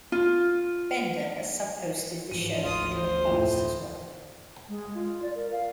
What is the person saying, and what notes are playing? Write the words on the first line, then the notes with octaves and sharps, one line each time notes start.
Bender has sub-hosted the show in the past as well.
F4
G#2 E3 F3 D#7
G1 D2 F4 D#6
C5
F2 A2
G#3
F4
D5
A#4
F5